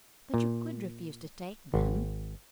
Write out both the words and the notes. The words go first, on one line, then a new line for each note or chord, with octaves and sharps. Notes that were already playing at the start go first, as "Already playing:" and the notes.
"But you could refuse to take them."
A#2
G#1